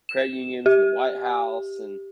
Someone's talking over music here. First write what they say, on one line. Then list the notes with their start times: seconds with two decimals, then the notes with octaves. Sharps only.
credit unions and the White House, and
0.09 E7
0.66 G4